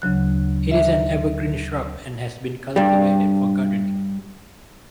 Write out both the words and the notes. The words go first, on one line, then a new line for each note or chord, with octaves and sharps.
It is an evergreen shrub, and has been cultivated for gardening.
D2 C#3 F#3 F#6
E5
G2 G3